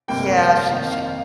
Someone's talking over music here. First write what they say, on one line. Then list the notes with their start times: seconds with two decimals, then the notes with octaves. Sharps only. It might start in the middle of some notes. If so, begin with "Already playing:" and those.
Yeah, she she
0.08 G1 F2 C3 G3 A#3 G5
0.70 F2 D#3 A#3 F5
0.92 F5